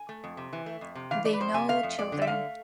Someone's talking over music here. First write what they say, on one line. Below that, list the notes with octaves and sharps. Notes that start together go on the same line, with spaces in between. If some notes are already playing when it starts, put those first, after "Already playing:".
They no children.
Already playing: G#5
A3
F2
C3
E3
A3
F2
C3
E3 F5
A3 D5
B4
F2 C5
C3 G#5
A3 F5
F2
F2 D5
D3
E5
A3 F5